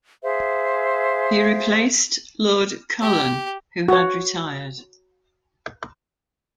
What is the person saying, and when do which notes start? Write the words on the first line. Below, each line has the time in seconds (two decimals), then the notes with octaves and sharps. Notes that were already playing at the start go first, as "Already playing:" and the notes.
He replaced Lord Cullen, who had retired.
0.23 G#4 C5 E5 F5
3.02 G4
3.88 F#4 C#5